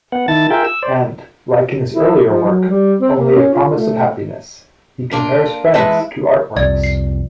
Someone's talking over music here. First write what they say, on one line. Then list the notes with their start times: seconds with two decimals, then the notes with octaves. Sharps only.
And-like in his earlier work, "Only a Promise of Happiness"-he compares friends to artworks.
0.12 B3 F#5
0.28 D#3 E4 A5 A6
0.50 F4 G#4 A#4 E5 G5
0.64 E6
0.83 C5 D5
1.94 E4
2.30 F3
2.45 F#3
2.69 G3
3.01 C4
3.18 A#3
3.35 C#4
3.54 F4
3.77 A3
5.11 A#3 D4 F4
5.74 E3 G#3 E4 B4 A5
6.57 C2 F2 D5 G#6
6.84 C7